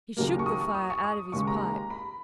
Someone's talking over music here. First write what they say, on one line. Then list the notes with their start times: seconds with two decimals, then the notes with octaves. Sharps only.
He shook the fire out of his pipe.
0.17 D#2 C#3 F#3 A#3
0.39 C#6
0.46 D#6
0.61 C#6
0.75 D#6
0.90 C#6
1.04 D#6
1.32 D#2 C#3 G#3 C#6
1.47 A#5
1.90 B5